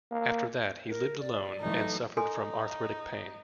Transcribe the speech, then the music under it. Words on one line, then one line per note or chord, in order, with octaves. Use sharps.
After that, he lived alone and suffered from arthritic pain.
A#3
A#4
D5
E3 F#3 A3 D#4
D#4 A4 G#5 C6